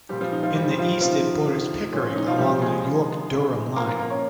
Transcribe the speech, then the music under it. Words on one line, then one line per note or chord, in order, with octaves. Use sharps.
In the East it borders Pickering along the York-Durham Line.
A#2 F3 G3 G4
F3 F4
D#4
F3 F4
A#2 F3 G3 G4
F3 F4
C3 D#3 F3 F4
C3 D#3
A#2 F3 C#4
C#4
D#4
F3 F4
A#2 F3 G3 G4
G#3 G#4
C3 F3
C3 F3
A#2 F3 A#3 A#4
A#3 A#4
A#3 A#4
C#4 C#5